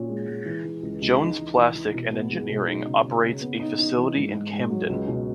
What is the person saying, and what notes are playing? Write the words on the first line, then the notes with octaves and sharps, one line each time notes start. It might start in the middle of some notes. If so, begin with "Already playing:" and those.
Jones Plastic and Engineering operates a facility in Camden.
Already playing: A#2 C#4 F#4
G#3
G#3
E3
E3
C#2
C#2
D#4
E3
E3
E3
B2
B3
G#3
B2
D#4
C#3
C#3
C#3
B3
D#4
D#4
E3
G#2
G#2
G#2
F#3
C#2
B2